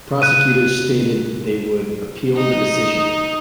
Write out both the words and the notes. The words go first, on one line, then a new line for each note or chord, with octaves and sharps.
Prosecutors stated they would appeal the decision.
F#6 D#7
D#4